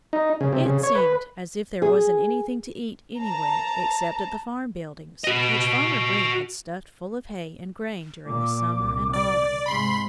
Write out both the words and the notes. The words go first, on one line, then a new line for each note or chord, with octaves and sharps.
It seemed as if there wasn't anything to eat anywhere except at the farm buildings, which Farmer Green had stuffed full of hay and grain during the summer and autumn.
D#4
C#3
C3
C#3
C#5
B4
G#4
A5 A#5
F#4 D#5
A#2 D6
C2
D5
G#2 C3 B5 C6